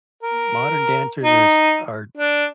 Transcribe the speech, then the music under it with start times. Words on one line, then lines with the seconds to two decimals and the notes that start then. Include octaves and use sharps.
modern dancers are s are
0.23 A#4
1.23 D#4
2.17 D4